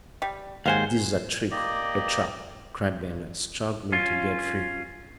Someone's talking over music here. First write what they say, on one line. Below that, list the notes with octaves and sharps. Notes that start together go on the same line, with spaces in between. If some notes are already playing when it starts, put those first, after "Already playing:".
"This is a trick--a trap!" cried Bernard, struggling to get free.
G3
D#2 G#2 C5 F5 F#5 G#5
A#3 G4 D5 D#5
C#4 F4